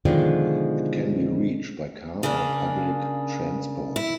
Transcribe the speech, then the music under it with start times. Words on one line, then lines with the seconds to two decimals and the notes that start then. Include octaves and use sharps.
It can be reached by car or public transport.
0.05 B2 D3 D#3 F3 G#3
2.23 C#3 A#3 D4
3.96 E4